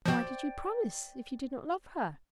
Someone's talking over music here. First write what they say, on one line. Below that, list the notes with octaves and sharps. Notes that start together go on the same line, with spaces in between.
"Why did you promise if you do not love her?"
B2 F3 C5 D5 G5